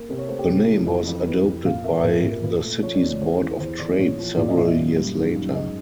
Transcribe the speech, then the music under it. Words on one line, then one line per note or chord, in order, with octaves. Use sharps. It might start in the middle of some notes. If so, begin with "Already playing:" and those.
The name was adopted by the city's Board of Trade several years later.
Already playing: A#3
C3 A#4
C#5
A3 C5
G4
C3
E3
F2
F2
E3 B4
F2
A#2 F5
A#3 E5
A#2 A#4
A#2
A#4
A#2 B4
A3
F3 C#5
D5
F3
C#5
E2 C5
E2
E2 C5
E2 D5
A#2 C#5
F3
A#2 D5
D#5
A#2 E5
D#5
F#2
G3
D#3
F#2
G#2 D#5